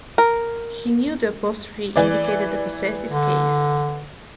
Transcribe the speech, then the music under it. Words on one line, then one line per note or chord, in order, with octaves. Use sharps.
He knew the apostrophe indicated the possessive case.
A#4
E3 D5
D3